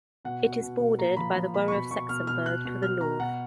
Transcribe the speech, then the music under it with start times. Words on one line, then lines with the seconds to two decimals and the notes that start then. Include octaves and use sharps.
It is bordered by the borough of Saxonburg to the north.
0.25 B2 F#5
0.43 B2
0.61 B2
0.79 B2
0.99 A#2 A#5
1.17 F3 B5
1.36 F3
1.54 A#2 B5
1.68 C#6
1.72 B2 B5
1.91 B2 C#6
2.09 B2 F6
2.27 B2 F6
2.46 B2 F#6
2.65 B2
2.83 B2 F6
3.01 B2 A#5
3.19 B2 F#5